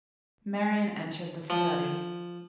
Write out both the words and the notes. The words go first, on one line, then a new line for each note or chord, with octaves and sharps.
Marian entered the study.
F3